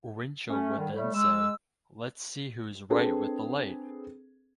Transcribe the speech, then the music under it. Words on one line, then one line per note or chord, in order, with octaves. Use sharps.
Winchell would then say, Let's see who's right with the light!
A3 C#4
D3 D#3 G3
A2 G3 A3
G#3 E6
C4 D4 G#4 A4 B4